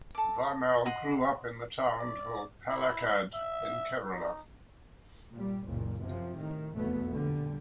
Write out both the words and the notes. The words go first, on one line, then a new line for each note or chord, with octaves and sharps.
Vimal grew up in the town called Palakkad in Kerala.
A4 D6
D#5 F#5 C6 D#6
D5
E4
E5
D#4
A#2 G3
F#1 C#2 A#2
F#2 C3 F3
A2 D#3
F1 B1 E2 B2 A3 B3
A#2 D3 G3